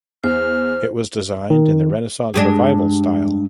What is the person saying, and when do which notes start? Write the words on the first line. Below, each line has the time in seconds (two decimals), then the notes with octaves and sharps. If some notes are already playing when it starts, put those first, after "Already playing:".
It was designed in the Renaissance Revival style.
0.24 E2 C5 F6
1.50 D#3
2.34 G2 G#3 D4